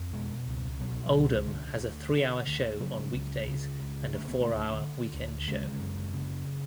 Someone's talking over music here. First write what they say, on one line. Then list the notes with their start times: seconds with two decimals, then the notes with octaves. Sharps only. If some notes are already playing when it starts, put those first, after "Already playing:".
Oldham has a three-hour show on weekdays and a four-hour weekend show.
Already playing: F2
0.13 B2 G#3
0.48 C#2
0.80 B2 F#3
1.14 C#2
1.47 D3
1.80 D2
2.13 D3
2.48 D2
2.80 C#3 F#3
3.14 C#2
3.48 C#3
3.80 C#2
4.13 D3 A3
4.28 B3
4.41 A3
4.48 D2
4.81 D3
5.14 D2
5.48 C#3 G#3
5.80 F#2
6.14 C#3